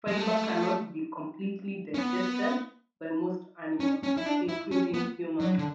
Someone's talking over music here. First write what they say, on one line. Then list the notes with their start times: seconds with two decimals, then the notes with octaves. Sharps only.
Fiber cannot be completely digested by most animals, including humans.
0.08 G#3
0.17 A3
1.94 C#4
1.98 B3
3.80 C#4
4.03 C#4
4.17 E4
4.26 D4
4.49 E4
4.71 C#4
4.94 B3
5.40 F#3
5.58 D3